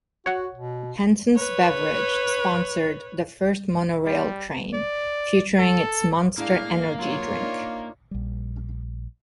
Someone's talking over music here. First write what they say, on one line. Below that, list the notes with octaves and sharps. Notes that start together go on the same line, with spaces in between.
Hansens Beverage sponsored the first monorail train, featuring its Monster Energy drink.
F#4 C#5 F#5
B2
B4 C#5
G3
D5
A4
A2 G#3 A#3 D4 F5
F#3 G#3 F4 C#5
D4 D#4 A#4
A#1 G3